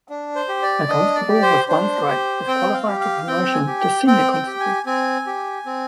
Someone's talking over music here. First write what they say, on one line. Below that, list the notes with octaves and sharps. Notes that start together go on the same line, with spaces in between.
A Constable with one stripe is qualified for promotion to Senior Constable.
D4
C5
G4
D5
D4 D#5
D5
G4
C5
D4 C5
G4
C4 G5
F5
G4
F5
C4 G5
G5
G#5
G4
G5
C4 G5
G5
G4
G#5
C4 G#5
G4
C4